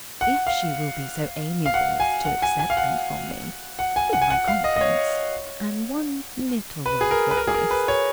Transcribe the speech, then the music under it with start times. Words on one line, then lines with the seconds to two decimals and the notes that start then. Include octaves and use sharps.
"If she will be so amiable as to accept them from me, with my compliments and one little word of advice...."
0.21 F#5
0.47 F5
1.66 F5
1.74 F#5
2.00 G#5
2.25 F#5
2.42 G#5
2.59 G#5
2.70 F5
2.77 F#5
3.79 F#5
3.96 G#5
4.13 F#5
4.22 G#5
4.30 F#5
4.48 F5
4.64 D#5
4.76 D#5
4.81 C#5
6.86 B4
7.01 G#4
7.11 A#4
7.31 B4
7.37 A#4
7.47 G#4
7.54 A#4
7.71 B4
7.88 C#5